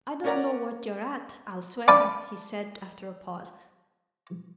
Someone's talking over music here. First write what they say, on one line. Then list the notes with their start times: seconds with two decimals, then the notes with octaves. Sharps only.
"I don't know what you're at, I'll swear," he said after a pause.
0.24 C#4 A#4 C#5 D5 F#5 A#5
1.88 D5 F5 G5 A5 B5 D#6